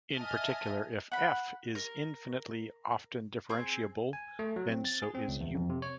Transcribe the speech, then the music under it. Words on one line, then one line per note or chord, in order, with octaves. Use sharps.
In particular, if "f" is infinitely-often differentiable, then so is "u".
D#5 E5 G#5 A5 D#6 F6
F#5 B5
A#4
C4 G#4
G#5
A3
F#3
C4
A6
G#4
C4
C#2
E2
F2
C3
C#5